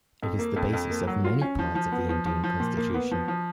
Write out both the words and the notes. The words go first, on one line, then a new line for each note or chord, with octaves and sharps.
It is the basis of many parts of the Indian Constitution.
F2
A#3
F2
F2
A#3
F#3
F4
C#4
F3
F3
B3
F3
F3
F3
A#2
A#3
B3
F3
F3